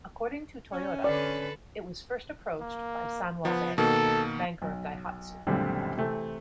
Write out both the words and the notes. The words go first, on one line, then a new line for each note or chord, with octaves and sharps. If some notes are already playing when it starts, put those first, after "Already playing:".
According to Toyota, it was first approached by Sanwa Bank, banker of Daihatsu.
C#4
D3 A4 B4 D5
A#3
F3 B3
B2 D#3 A#3 A4
B1
C#2 F#2 A#2 D3 G3 C4
C3 E3 A3 C4